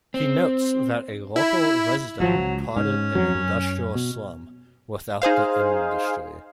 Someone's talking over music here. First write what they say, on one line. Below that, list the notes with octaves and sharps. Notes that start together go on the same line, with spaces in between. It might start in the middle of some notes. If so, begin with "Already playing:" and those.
He notes that a local resident called it an industrial slum without the industry.
C4
E4
G#1 F3 F#3
C#2
G#2 C#4
F2 F#3
F#2
B2
D#4 G#4 C5 F5